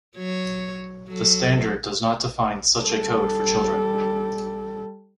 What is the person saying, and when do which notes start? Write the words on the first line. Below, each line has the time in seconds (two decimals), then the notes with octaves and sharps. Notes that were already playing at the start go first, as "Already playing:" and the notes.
The standard does not define such a code for children.
0.16 F#3 C#5
1.08 F#3 A4
2.80 G3 A4